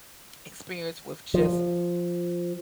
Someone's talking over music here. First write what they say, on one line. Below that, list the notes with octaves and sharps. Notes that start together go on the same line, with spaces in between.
experience with just
F3